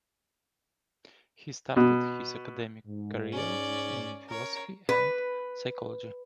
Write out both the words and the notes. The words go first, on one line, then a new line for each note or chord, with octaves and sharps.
He started his academic career in philosophy and psychology.
B2
G#2
C#4 D5
A#4 C#5
B4